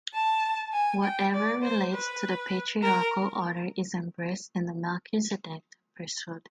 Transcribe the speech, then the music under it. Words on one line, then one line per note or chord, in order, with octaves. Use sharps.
Whatever relates to the patriarchal order is embraced in the Melchizedek Priesthood.
A5
G#5
G5
D5
C5
B4
A#4